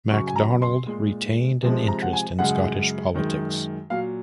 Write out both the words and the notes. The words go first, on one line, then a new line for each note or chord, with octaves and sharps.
MacDonald retained an interest in Scottish politics.
F#2 C#3 F#3 C#6
G#5
A#5
C6
A#2 G#3
C3 F3 G#3
A#5
F#5
G#5
F#2 C#3 G#3 F#5
F#2 D#3 G#3
A#2 F#3 F5